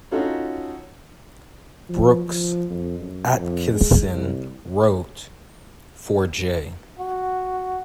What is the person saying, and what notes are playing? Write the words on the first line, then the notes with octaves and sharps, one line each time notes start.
Brooks Atkinson wrote: For 'J.
C#4 D#4 F4 F#4 A4
F3
F3
F2
F#2
F2
G#3
C2
F#4